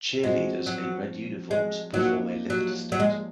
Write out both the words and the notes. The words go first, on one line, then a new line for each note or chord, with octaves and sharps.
Cheerleaders in red uniforms perform a lift stunt.
F3 G#3 C4 F#4
F#3
G#3
F3 F#3 A#3 D#4
F#3
F#3
G#3